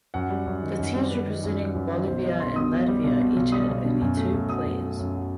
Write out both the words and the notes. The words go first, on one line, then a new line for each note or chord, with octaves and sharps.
The teams representing Bolivia and Latvia each had only two players.
F#2 F#5
G3
F#2
D#3
F#2
G3
F#2 B4
D#3
F#2
G3
F#2
D#3
B1 C5
G3 D#5
B1 C6
B2 D#6
B1
G3
B1
B2
B1
G3 D#6
B1
B2
F#2
A3
F#2
F#3 D#6
F#2
A3
F#2
F#3